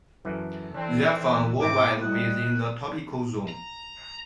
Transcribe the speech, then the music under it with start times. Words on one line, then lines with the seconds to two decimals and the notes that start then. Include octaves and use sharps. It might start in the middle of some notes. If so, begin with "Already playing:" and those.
They are found worldwide within the tropical zone.
0.25 F#2 E3 A4
0.74 E3 C4 D4
1.60 G#2 A3 C4 E4 D6
2.01 G3 F#4 D#5
3.49 A#5